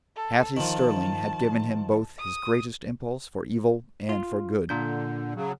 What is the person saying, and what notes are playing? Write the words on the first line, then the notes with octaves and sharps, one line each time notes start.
Hattie Sterling had given him both his greatest impulse for evil and for good.
A4
D#3 F3 A5
D#6
F4
A#2 D3 D4 G6
C#3 F#3